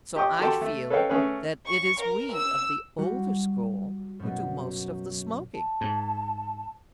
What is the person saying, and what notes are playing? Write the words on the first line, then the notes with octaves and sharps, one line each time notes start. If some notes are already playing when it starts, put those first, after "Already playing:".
So I feel that it is we of the older school who do most of the smoking.
G4 D#5 G5 C#6 D#6
F#4 G4 A4 G5 A5 C6
A3
A4 B4 C#5 D#5 F5 G5
A3 C#4 G#4 B4
C#6
A#4
E6
G3 F#4
F#2 B2
A5
G#2